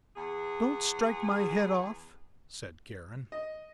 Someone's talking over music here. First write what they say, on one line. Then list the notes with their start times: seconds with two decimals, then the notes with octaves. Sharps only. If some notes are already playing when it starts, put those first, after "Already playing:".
"Don't strike my head off!" said Karen.
0.15 E2 G#4
3.32 D#5